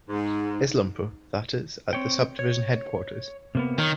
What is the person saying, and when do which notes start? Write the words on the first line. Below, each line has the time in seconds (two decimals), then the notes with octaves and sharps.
Islampur, that is, at the Subdivision Headquarters.
0.09 G#2
1.93 C4 C#5 G5
2.39 C#5
3.55 C3 A#3 B3
3.78 D#3 C#5